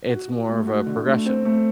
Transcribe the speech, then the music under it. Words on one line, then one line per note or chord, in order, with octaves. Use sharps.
It's more of a progression.
F#4
F#4
A3
F#4
D3
A3
C4
A3